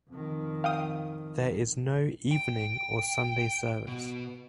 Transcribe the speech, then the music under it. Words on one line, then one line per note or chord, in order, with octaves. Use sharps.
There is no evening or Sunday service.
F2 D#3
F5 G5 D#6
G5
B2